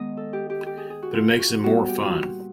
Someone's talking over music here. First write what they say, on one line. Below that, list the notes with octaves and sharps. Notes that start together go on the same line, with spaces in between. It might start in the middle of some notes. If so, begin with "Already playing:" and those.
But it makes them more fun!
Already playing: D#3 G#3 B3 D#5
A4
G4
G4
G4
G#4
G#4
F#4
F4
F#4
A#2 G3 B3 F#4
G4
F4
F#4